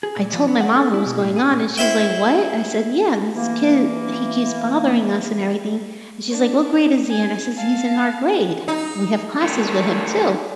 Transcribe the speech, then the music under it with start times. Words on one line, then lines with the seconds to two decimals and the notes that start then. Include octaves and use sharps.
I told my mom what was going on and she's like, "What?" I said, "Yeah, this kid, he keeps bothering us and everything." And she's like, "What grade is he in?" I says, "He's in our grade. We have classes with him too."
0.03 G#4
0.16 A#2
0.33 F3
0.48 B3
0.61 F#5
0.76 A4
0.94 E4
1.06 B2
1.20 A2
1.36 G#4
1.51 A#2
1.78 E4 C5 E5 G5
3.36 E3 A#3
6.30 D4
7.10 G#5
7.56 F5 A5
8.68 D#4
9.42 D#3 A3